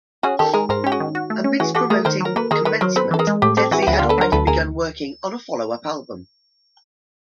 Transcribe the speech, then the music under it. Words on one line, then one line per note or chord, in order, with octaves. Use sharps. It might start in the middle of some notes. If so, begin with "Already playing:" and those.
Amidst promoting "Commencement", Deadsy had already begun working on a follow-up album.
C#4 F#4 G#4
D#3 G4 A4
G#3 G#4 A#4
G#2 A#4 C5
C#4 G4
F#4 G#4
D#3
F#4
A3
C#4
E3 F#4 G#4
F#4 G4 A4
A3 G#4 A#4
D#3 A#4 C5
F#3 A#4
A#3 A4 B4
D#3 G#4 A#4
D#3 A4 B4
F#3 A#4 C5
C4 A4 B4
E3 A4
G#4 A#4
G#3
A2 G4 A4
C4 G4 A4
E3 F#4 G#4
G4
D2 E4 F#4
G#4
D3 F4 G4
A4 B4
F#3 A#4 C5
D2 A4 B4
D2 G#4 A#4